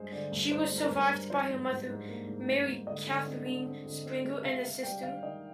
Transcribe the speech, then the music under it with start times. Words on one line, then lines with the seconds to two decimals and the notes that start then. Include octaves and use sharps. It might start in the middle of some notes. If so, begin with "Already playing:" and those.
She was survived by her mother, Mary Cathryn Springer, and a sister.
Already playing: G2 G#3 C5
0.12 D3 D5
0.32 G2
0.51 G2 C5
0.71 G#3
0.78 A#4
0.85 C5
0.90 G2 A#4
1.10 G2
1.30 F3 C5
1.50 G#2
1.69 G#2
1.90 G#2
2.08 A#3
2.28 G#2
2.48 G#2
2.68 G#2
2.87 D3 D#5
3.07 D3
3.27 C4
3.46 D3
3.66 C4
3.86 D3
4.06 C4
4.24 G#3
4.44 C3 F5
4.64 C3
4.83 G3 G5
5.03 D#3 F5
5.23 D#3 D#5